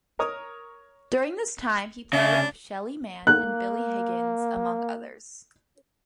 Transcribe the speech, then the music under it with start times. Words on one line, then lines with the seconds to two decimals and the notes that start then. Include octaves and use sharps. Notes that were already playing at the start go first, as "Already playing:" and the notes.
During this time he played with Shelly Manne and Billy Higgins, among others.
0.19 A#4 C#5 D#6
2.13 C#3 D4 E5
3.27 A#3 F#6